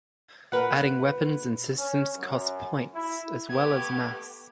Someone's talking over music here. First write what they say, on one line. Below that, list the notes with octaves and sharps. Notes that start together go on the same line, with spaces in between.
Adding weapons and systems costs points as well as mass.
A#2 A#4 B4 F#5
C#4
F#2
E4
A3 B3 G4 G#6